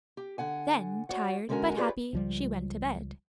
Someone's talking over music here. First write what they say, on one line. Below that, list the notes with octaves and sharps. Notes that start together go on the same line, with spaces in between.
Then, tired, but happy, she went to bed.
G4
D3 F#5 G#5
F#4 C#5 D5 F#5
D3 G#3 C#4 F#4 A#4 G#5
F4 G4 G#4 B4 C#5 D5
C#2 F3 G3